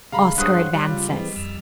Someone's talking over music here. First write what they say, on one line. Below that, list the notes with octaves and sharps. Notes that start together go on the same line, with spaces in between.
Oscar advances.
C#3 G3 G#3 F5 A#5 B5
G2 G#3 C5 C#5 F5 F#5 D#6 F#6
G3
C#3 F4
E3 G#3 C4 D#5
F2 E6 F6